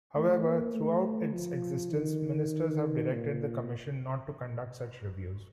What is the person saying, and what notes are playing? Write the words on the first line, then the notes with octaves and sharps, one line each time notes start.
However, throughout its existence, Ministers have directed the Commission not to conduct such reviews.
A3
A#3
A3
F3
D#3
A#2